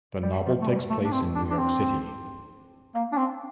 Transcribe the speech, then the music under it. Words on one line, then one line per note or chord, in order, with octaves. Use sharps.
The novel takes place in New York City.
G3
F3
A3
G3
A3
D4
C4
D4
D4
C4
A#3
D4
C4